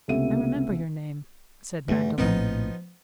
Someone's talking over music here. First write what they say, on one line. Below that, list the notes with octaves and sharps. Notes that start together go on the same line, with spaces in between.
"I remember your name," said Magdalen.
C#2 C3 A3 B3 E5 D#7
E2 G2 A3
A#1 A2 F3 B3 C4 D#4